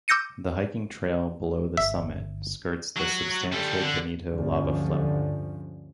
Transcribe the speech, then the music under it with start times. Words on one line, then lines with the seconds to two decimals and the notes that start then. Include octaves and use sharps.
The hiking trail below the summit skirts the substantial Bonito Lava Flow.
0.08 D6 E6 G6 A#6 C#7 D#7
1.77 G1 E5
2.97 F#3 F#4
3.53 G3 A4
3.82 D3
4.28 D2 G2 D3 F3 C#4